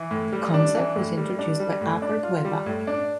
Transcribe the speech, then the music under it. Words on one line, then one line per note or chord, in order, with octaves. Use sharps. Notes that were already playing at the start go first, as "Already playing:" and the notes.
The concept was introduced by Alfred Weber.
Already playing: E3
A2
G3
D4
E3
A2
G3
D4
G3
A2
D4
F4
G3
A2
D4